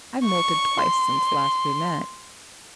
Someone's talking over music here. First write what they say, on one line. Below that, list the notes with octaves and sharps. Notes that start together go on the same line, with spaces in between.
I've moulted twice since last we met.
C#6
C6